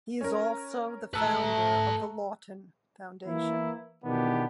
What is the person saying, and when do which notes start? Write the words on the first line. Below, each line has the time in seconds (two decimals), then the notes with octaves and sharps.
He is also the founder of the Lawton Foundation.
0.21 C#4 A#4
1.14 A3 B4 A5 A#5 E6 F#6
3.26 E3 A#3 E4
4.03 B2 D#3 E3 B3 D4 G4